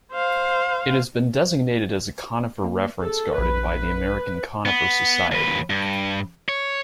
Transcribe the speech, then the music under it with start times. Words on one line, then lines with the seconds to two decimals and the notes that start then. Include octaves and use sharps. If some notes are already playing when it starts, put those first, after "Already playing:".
It has been designated as a Conifer Reference Garden by the American Conifer Society.
0.12 C5 F5
2.64 A#3
3.02 G#4 A4
3.38 A#1 B4
4.66 B3
5.31 D#2 B4
5.70 G2
6.49 C#5